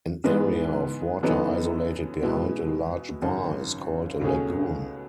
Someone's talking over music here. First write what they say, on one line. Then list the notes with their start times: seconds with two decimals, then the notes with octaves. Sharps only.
An area of water isolated behind a large bar is called a lagoon.
0.24 G#2 E3 G#3 B3
1.23 F#2 E3 B3 D#4 A4
2.23 B2 G#3 B3 E4
3.22 G#1 F#2 C#3
4.21 C#2 B2 A3 C#4 G#4